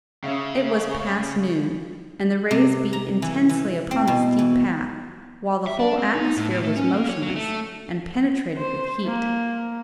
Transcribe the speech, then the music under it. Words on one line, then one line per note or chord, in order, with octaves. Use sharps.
It was past noon, and the rays beat intensely upon the steep path, while the whole atmosphere was motionless, and penetrated with heat.
C#3 C#4 E5 F5
C3
A#5
E3
E3
C4
B2
E3
E5
D4
C4
D#4
A2
A2
A3
C#4
A#3
C#5
F#3
A3
C5
A#3